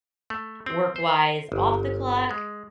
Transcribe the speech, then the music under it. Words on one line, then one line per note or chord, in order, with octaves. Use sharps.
work-wise, off the clock.
A3
C4
C5
G1
G#3